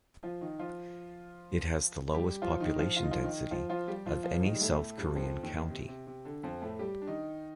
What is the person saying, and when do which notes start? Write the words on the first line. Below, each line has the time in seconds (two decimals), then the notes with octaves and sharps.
It has the lowest population density of any South Korean county.
0.23 F3 F4
0.41 D#3 D#4
0.59 F3 F4
2.14 G3 G4
2.42 F3 F4
2.60 D#3 D#4
2.79 F3 F4
2.97 F4
3.04 D#4
3.11 F3 F4
3.24 D#3 D#4
3.51 F3 F4
3.69 F3 F4
3.88 G3 G4
4.06 F3 F4
4.24 F3 F4
4.42 D#3 D#4
4.54 G3
4.60 A2 A3
4.79 A2 A3
4.97 G2 G3
5.15 F2 F3
5.42 D#2 D#3
5.70 C3
5.88 C3
6.07 C3
6.25 D3
6.43 F2 F3
6.62 A2 A3
6.79 G3 G4
7.02 D4
7.07 D#3 D#4